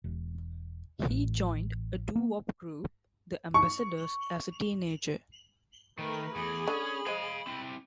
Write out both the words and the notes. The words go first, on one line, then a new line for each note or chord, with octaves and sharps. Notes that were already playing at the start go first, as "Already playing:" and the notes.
He joined a doo-wop group, The Ambassadors, as a teenager.
E1
A1
A#3
C#6
D#3 A3 A#4 B4
E2 G#4 B5
D3 C#4
G#3 C5 F5 G#5
C4 E4